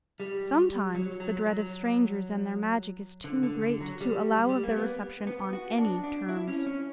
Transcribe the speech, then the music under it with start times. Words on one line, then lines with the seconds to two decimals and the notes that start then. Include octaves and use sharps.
Sometimes the dread of strangers and their magic is too great to allow of their reception on any terms.
0.20 G3
0.95 F#3
1.20 F#3
1.46 F#3
3.24 D3
3.43 D3
3.62 D3
3.81 F#3
4.01 G3
4.49 G3
4.63 A#3
4.76 B3
5.27 B3
5.53 F#4
5.78 D4
6.04 D4
6.29 E4
6.48 C#4
6.66 C#4